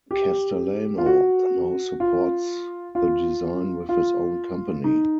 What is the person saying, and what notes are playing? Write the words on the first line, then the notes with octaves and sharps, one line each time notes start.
Castellano now supports the design with his own company.
G4
F4
F#4
F4
F4
F4
D#4